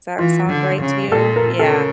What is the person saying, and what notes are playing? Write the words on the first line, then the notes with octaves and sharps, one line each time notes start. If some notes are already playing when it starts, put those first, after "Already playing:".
Does that sound right to you? Yeah.
E3 F4
D3
C#3
A#2 A4
A#4
C#3 A4